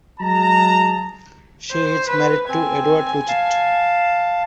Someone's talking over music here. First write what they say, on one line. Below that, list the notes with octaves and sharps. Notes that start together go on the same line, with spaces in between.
She is married to Edward Lucht.
F#3 G#3 A5 A#5
C5
B4
C4 G#5
F5 A5